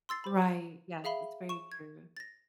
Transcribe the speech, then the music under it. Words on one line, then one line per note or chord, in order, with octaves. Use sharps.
Right, yes, that's very true.
C6 E6 A6 C7
C5 B5
G#4 E5 F5 B5 G7
C#6 E7
G#6
A6 A#6